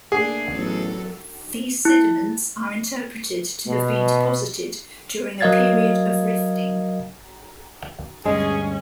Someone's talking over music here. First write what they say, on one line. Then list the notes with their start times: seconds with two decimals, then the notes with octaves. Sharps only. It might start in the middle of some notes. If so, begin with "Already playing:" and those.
These sediments are interpreted to have been deposited during a period of rifting.
0.12 A3 A#3 D4 G#4
0.53 A1 E2 F#3 A4
1.85 E4
3.68 B2
5.41 F#3 A#4 D#5 F5 G#6 A6
8.26 D2 G2 G#3 C#4 G#4